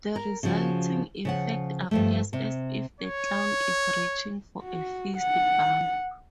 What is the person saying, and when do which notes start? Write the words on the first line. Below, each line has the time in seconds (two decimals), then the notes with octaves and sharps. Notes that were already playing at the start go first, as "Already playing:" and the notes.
The resulting effect appears as if the clown is reaching for a fist bump.
0.16 A#4
0.43 C#3 F3 F#4
1.25 C#3 F3 F#5
1.91 G2 F3 A3
2.33 C3
3.01 C#5
4.63 F#4
5.18 F#5